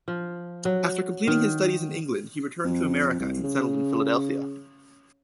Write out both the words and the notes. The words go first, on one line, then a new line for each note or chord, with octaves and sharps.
After completing his studies in England he returned to America and settled in Philadelphia.
F3
F#3
D#3
F2
C2
C#3